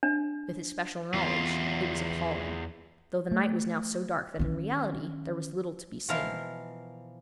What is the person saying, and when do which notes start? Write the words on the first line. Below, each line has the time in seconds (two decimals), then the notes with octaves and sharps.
With his special knowledge, it was appalling--though the night was now so dark that in reality there was little to be seen.
0.03 D4
1.14 E2 F4
3.31 A3
4.39 D#3 C#4
6.08 B2 E3 F3 A#4 F5